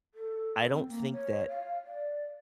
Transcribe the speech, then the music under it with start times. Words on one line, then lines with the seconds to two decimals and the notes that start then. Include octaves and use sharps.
I don't think that
0.14 A4
0.70 C4
0.88 A#3
1.12 C#5
1.49 F5
1.84 D5